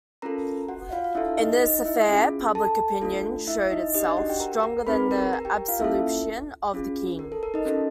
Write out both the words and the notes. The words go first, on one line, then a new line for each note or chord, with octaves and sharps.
In this affair public opinion showed itself stronger than the absolutism of the king.
C#4 F4 A4 A#4 A#5
F#4 F#5
F4 F5
F5
D4 E4 F#4 A4 E5
D#4 D#5
D#4 D#5
E4 E5
C#4 F4 G#4
A4 A5
A3 D4 F4 A4
E4 E5
D#4 D#5
D4 D#4 G4 D#5
D4 D5
F#4 F#5
G4 G5
A#4 A#5
A#4 A#5
C4 D#4 G#4 B4 B5
A#4 A#5
A#4 A#5
G4 G5
F4 F5
A#3 C#4 E4 F4 A4 E5
C#4 F4 G#4
A#4
A4
A#4
D#4 D#5
C#4 F#4 A4